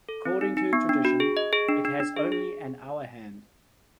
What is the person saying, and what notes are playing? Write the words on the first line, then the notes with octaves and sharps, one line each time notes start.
According to tradition, it has only an hour hand.
A4
C4
D#4
D#4
B3
D4
F#4
G#4
D#5
G#4
D4
D4
D4
G#4
G#4